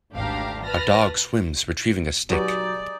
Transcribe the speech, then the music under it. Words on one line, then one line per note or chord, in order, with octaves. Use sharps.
A dog swims retrieving a stick.
G#1 D2 D4 G4 F5 A#5
B4 A5 B5 F6 A#6
F#3 G#3 D#4 F#4 G4 B4 D5 D#5